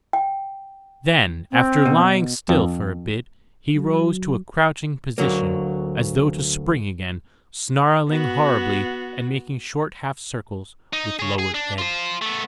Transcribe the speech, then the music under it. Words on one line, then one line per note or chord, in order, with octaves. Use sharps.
Then, after lying still for a bit, he rose to a crouching position as though to spring again, snarling horribly and making short half-circles with lowered head.
G5
C4
B2
F2
F#3
D2 F#3 A#3
B3 F#4
D#4
G#4 C#5
G#4
D4
F4 C5
A3 B3